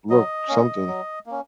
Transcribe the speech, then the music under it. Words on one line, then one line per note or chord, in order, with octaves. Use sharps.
look something,
F#3 D#5
A#3 C#4
F#3
A#3 C#4